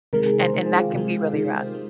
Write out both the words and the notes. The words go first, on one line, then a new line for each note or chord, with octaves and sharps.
and and that can be really rough.
C3 D#3 G#3 A#4
G#4
C5
C3 D#3 G#3 A#4
G#4
F4
G4
C3 D#3 G#3
C3 D#3 G#3 D#4
G#3